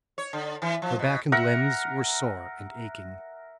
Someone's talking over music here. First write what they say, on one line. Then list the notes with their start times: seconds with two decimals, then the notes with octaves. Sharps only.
Her back and limbs were sore and aching.
0.18 C#5
0.33 D3
0.62 E3
0.82 F3
0.99 B2
1.32 A#4 E5 F#5